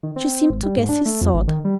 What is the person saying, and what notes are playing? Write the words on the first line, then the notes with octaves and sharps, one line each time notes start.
She seemed to guess his thought.
D#3
C4
G#1
G3
G#2
D4
A3
F2
G#1
D#3
G3